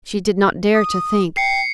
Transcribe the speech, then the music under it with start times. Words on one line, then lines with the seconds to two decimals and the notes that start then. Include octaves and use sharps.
She did not dare to think.
0.75 D#6
1.37 G5 C7 C#7